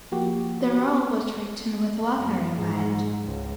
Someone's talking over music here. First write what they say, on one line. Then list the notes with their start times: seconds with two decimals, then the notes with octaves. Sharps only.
The role was written with Wagner in mind.
0.12 F3 A#3 F#4 G4
2.16 F#2
2.54 G#2
3.25 C#2